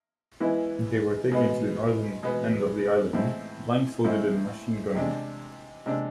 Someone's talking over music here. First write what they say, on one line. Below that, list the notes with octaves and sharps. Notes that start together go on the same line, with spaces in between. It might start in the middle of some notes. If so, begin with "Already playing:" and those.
They were taken to the northern end of the island, blindfolded and machine-gunned.
E3 G#3 B3 E4
B2 G#3 B3
B2 G#3 B3
A2 G#3 C4 E4
A2 G#3 C4 E4
C3 G#3 D4
C3 G#3 D4